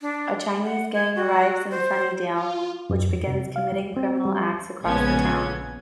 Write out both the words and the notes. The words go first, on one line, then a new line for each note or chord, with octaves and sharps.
A Chinese gang arrives in Sunnydale, which begins committing criminal acts across the town.
D4
F#5
G#6
F#4
C5
F4
F#2
F2
C3
F5
G3
C4
G3
A#1 C#3 G#3 B3 C#4 G#6